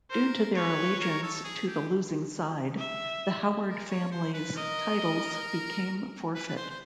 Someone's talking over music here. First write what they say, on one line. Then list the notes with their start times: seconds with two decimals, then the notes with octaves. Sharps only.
Due to their allegiance to the losing side, the Howard family's titles became forfeit.
0.11 A#4 C5
0.55 B4 C#5
1.00 A#4
1.22 A4
1.44 G#4
1.67 G4
2.78 E5
3.67 A#4
3.89 C#5
4.11 C5
4.34 B4
4.56 A#4 D#5
6.35 B4
6.48 B4
6.56 C5
6.70 C5